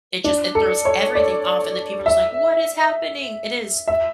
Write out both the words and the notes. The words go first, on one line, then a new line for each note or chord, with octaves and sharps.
it just it throws everything off, and the people are just like, "What is happening?" It is
D4
A4
C#5
D5
E5
E5